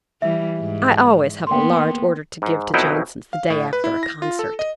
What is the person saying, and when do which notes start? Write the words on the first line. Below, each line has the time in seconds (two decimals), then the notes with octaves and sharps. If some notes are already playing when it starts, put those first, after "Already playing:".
I always have a large order to give to Johnson's, the day after a concert.'
0.22 E3 G3 E5
0.58 G#2
1.47 A#3 B3 G5 C6
2.42 G#2
2.74 F2 B2 F#3 D#4 E4 G5
3.33 F5
3.50 A2
3.73 B4
3.84 E4
4.03 A#6
4.22 F4
4.39 A4
4.59 D#5